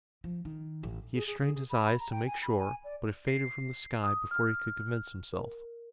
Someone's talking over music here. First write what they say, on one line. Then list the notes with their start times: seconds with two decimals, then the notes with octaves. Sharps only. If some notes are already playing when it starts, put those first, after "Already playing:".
He had strained his eyes to make sure, but it faded from the sky before he could convince himself.
0.24 F3
0.45 D#3
0.83 A1
1.15 G#4
1.27 G#4
1.40 G#4
1.54 G#4
1.70 B5
1.86 B5
2.00 A#5
2.11 G5
2.27 G#5
2.42 B5
2.58 G#5
2.84 D5
3.27 C7
4.04 D#6
4.31 F6
5.33 A#4